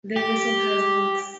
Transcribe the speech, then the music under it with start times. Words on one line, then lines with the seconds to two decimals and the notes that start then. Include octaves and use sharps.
The vessel has max.
0.16 G4